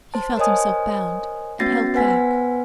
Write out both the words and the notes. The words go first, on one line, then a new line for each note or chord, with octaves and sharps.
He felt himself bound and held back.
C5 A5
A#4 C5 C#5 D#5 G#5 D#6
B3 C#4 F#4 A6 A#6 C7
B3 B4 C5 F#5 G#5 B6